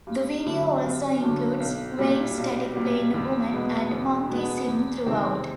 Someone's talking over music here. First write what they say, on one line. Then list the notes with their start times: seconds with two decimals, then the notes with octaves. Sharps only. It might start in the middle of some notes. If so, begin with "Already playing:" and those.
The video also includes Wayne Static playing a woman, and monkeys hidden throughout.
0.07 G2
0.46 D3 F#3 A3
0.83 G2
1.22 D3 F#3 A3
1.60 B1
1.99 A#2 G3
2.38 B1
2.75 A#2 G3
3.14 E2
3.52 B2 G#3 B3
3.91 E2
4.29 B2 G#3 B3
4.68 E2
5.05 C3 D#3 G#3 C4